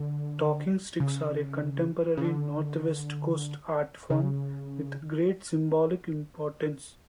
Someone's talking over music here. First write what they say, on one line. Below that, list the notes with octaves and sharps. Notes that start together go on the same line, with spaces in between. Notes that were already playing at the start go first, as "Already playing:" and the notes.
Talking sticks are a contemporary Northwest Coast art form with great symbolic importance.
Already playing: D3
C#3
C#3
D3
C#3